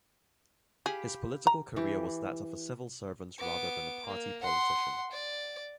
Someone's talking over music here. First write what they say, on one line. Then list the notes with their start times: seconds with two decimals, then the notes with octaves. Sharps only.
His political career was that of a civil servant rather than a party politician.
0.86 G4 G#4 F5 B5
1.47 A#5
1.76 E3 G4
3.39 B3 D6
4.06 A#3
4.41 F#5 C6
5.12 D5